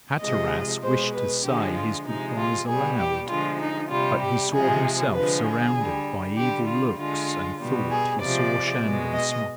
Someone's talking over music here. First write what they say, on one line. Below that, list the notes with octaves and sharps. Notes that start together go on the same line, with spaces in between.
Hatteras wished to say his good-byes aloud, but he saw himself surrounded by evil looks and thought he saw Shandon smile ironically.
C3 F3 G#3 D#5
B2 G#3 C5
B4
D3 F3 G#3 G4
F4
C3 F3 G#3 D#4
F4
B2 G3 G#4
G4
D3 F3 G#3 F4
D#4
C3 G3 F4
G4
C3 F3 G#3 G#4
D3 F3 G#3 B4
G#4
D3 G3
D3 G3 G4
F4
D3 G#3 F4
B2 G3
G#4
C3 F3 G#3 D5
B2 G#3
D#5